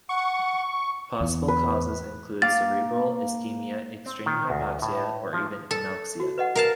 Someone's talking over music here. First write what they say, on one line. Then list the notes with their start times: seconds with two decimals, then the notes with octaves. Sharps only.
Possible causes include cerebral ischemia, extreme hypoxia or even anoxia.
0.09 F#5 C#6
1.21 E2
1.48 B4
2.42 A#3 F5 D6 A6
4.06 C4
4.26 D#3
4.50 D2
4.82 A2
5.33 F3
5.71 A4
6.20 F#4
6.38 B4 D#5 F#5
6.55 A#4 F5 A5